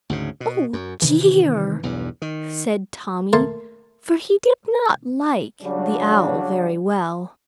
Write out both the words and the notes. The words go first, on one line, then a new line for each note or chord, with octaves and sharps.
"Oh, dear!" said Tommy, for he did not like the Owl very well.
D2 G#2 C#3
B2
F#2
C3 D#3 E3
B1 E2 G2
D#3
A3 A#3 A4 F5 A5 C6
C#3 F#3 G3 D4